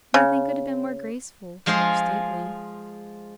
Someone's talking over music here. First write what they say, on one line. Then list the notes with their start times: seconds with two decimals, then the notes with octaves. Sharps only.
Nothing could have been more graceful, more stately.
0.14 C#3
1.66 F3 G#3 F4 G#4 C5